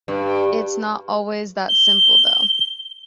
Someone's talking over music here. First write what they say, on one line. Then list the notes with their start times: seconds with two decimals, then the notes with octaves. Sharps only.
It's not always that simple, though.
0.08 G2
1.69 G7